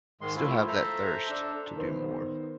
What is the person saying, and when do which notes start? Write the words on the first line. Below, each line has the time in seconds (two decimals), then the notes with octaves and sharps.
still have that thirst to do more.
0.21 G#2 D#3 G#3 C6
0.36 F3 A3 E4 F4
0.68 A4 C5 E5 A#5
1.29 D4 A4
1.76 D#3 B3 C5